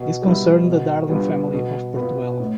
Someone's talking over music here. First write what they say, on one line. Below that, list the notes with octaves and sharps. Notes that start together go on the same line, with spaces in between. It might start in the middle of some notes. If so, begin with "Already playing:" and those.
This concerned the Darling family of Portobello.
Already playing: B2
G3 B3 E4
B2
G3 B3 D4 F4
B2
B3 F4
A2